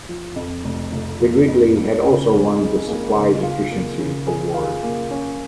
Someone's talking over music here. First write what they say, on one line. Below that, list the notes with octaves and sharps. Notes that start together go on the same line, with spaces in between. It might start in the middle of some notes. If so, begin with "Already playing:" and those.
The Gridley had also won the Supply Efficiency Award.
F3
F2
F1
F1
F3
F2
A#3
C#3
C#2
D#4
A#3
C#3
F4
A#3
C#3
G#4
F4
A#3
C#4